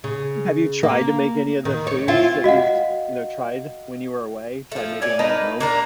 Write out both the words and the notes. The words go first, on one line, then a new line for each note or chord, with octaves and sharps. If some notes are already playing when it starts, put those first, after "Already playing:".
Have you tried to make any of the foods that you've t you know, tried when you were away, tried making 'em at home?
C#3
A#3
D#3
C#5
C4 E4 F4
F#4 D#5 F5 F#5
F3 A3
C#5 D5 G#5
A#3 D#4 B4 A5
A#3 D4 A#4